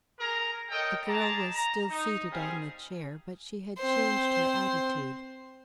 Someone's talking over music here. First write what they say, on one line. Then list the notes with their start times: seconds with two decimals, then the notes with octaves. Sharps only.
The girl was still seated on the chair, but she had changed her attitude.
0.19 G#4 A#4 A#5
0.70 A4 A#4 C#5 D#5 G5
1.08 G#4 D5 A5 A#5
1.55 A#5
1.91 D#4
2.31 G3 C4 G#4 F5
3.78 C4 C5